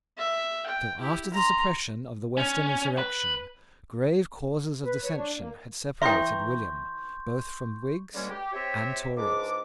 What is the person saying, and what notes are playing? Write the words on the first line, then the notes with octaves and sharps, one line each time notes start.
Till after the suppression of the Western insurrection grave causes of dissension had separated William both from Whigs and Tories.
E5
G5
E4 G4
A#5 C6
C#4
B4
B4
C#5
D4
A#3
E3 E5 G5 A#5 C6 C#6 G6
B2 D3 G3 G#3 A#3 C#4
G4
C4 G4 C#5 E5
C#2 G#2 D4 D6